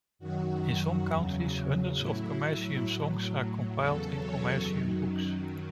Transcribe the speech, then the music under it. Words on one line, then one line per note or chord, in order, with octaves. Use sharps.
In some countries, hundreds of commercium songs are compiled in commercium books.
F#2 D#3 F#3 F#4
E2 C#3 F#3
A2 F#3 E4
A2 F#3
E2 C#3 F#3 A4
C#5
F#2 D#3 F#3